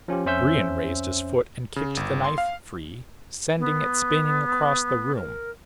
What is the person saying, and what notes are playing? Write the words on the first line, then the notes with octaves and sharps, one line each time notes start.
Brion raised his foot and kicked the knife free, sending it spinning across the room.
F3 C#4 F4 G4
F2 C#4 C5 E5 E6 G6
C#3
G1
C6
F5
B3
A#4